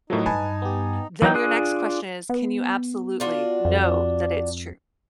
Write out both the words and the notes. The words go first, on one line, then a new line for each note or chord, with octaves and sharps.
Then your next question is, "Can you absolutely know that it's true?"
A2 F3 F#3 A3 A#3 D#4
G2 B4 G#5 A5
B3 G4
E3 F#3 D#4 G5
D4 F4 G#4 F#6
B3
D4 F4 F#4
F2